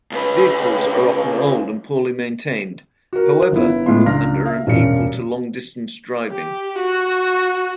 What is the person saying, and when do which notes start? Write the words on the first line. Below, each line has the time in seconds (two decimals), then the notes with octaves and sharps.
Vehicles are often old and poorly maintained, however, and are unequal to long-distance driving.
0.12 C#2 B4
3.13 F#4 A#4
3.52 G1 B3 E4
3.86 A2 G#3 B3 F5 C6
4.06 C#2 D4 F5 F6 A#6
4.46 E5 F5
4.67 E1 G2 C#4 C#7
6.31 G4
6.78 F#4